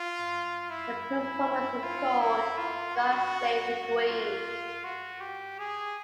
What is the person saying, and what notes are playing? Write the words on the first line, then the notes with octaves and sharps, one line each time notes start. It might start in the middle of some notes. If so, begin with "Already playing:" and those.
The performance was called God Save the Queen!
Already playing: F4
E4
F4
E4
F4
F#4
F4
F#4
G4
G#4